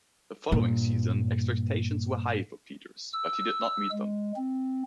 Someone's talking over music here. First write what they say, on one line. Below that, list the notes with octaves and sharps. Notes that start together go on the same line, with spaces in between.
The following season, expectations were high for Peeters but he did not meet them.
G2 A#2
E6
G#3
C4